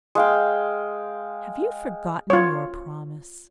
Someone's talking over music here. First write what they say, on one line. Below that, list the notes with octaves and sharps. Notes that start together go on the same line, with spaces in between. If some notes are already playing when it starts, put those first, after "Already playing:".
Have you forgotten your promise?
G#3 F5 G5
F4 C#5